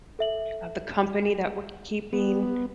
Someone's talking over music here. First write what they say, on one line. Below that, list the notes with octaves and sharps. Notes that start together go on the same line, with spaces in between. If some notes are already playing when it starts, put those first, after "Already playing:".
of the company that we're keeping.
A4 E5 F#7
B3